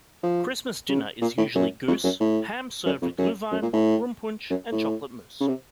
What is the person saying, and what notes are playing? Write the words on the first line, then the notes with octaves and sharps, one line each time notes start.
Christmas dinner is usually goose, ham served with Gluhwein, Rumpunsch, and chocolate mousse.
F3
C#3
A#2
A2
F#2
F2
F#2
A2
F#2
F2
F#2
F#2
A#2
A2
F#2
A2
C#3
C3